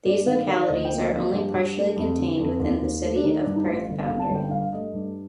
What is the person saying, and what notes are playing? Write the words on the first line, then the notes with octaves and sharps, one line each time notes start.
These localities are only partially contained within the City of Perth boundary.
G2 D5
D#3 F5
D#3 F5
D5
D2 D#5
G5
A#3
D#5
F3
D#5
G2 G4
G2
A3
F2
D3
F2
D#2
D#2
A3
D4
D#3 D#4
D4
G2
D#4
A1
F4
G1
F5
G1
A5
G1 G5
G2 F5
A3 D#5
G2